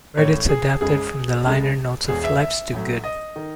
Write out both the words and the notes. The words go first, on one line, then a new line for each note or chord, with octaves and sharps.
Credits adapted from the liner notes of "Life's Too Good".
A1 A2 E3 C#5
G#4
F#1 F#2 C#3 G#3 G#4
C#2 C#3 G#3
E1 E2 B2 G#4
E5
E5
A1 A2 F#3
D#5
D#3